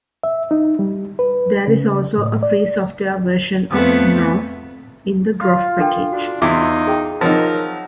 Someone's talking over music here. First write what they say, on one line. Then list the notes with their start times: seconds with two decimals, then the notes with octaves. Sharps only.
There is also a free software version of "nroff" in the groff package.
0.23 E5
0.51 D#4
0.79 G3
1.19 B4
1.67 C#3
2.18 A2
2.43 D5
3.72 F2 A3 B3
5.41 F4
5.79 D4 A4 G5
6.12 D4 F#4
6.42 E2 D#4 E4 C6 D6
6.87 G#4 G5
7.21 F3 F#3 D#4 A#4